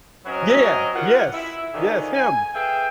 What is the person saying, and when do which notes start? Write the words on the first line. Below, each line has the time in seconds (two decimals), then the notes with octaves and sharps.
Yeah, yeah. Yes. Yes, him.
0.26 F#3 C4 C#4 F#4 A#4 D#5
0.95 F4 G4 A#4 F#5
1.33 E4 E5
1.74 D3 D#3 F3 D#4 F#4 G#4
2.13 G#5
2.54 G#4 A4 B4 E5 F5 G5